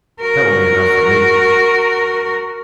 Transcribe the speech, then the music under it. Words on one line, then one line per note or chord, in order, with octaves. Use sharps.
That will be enough for me.'
F#4 A#4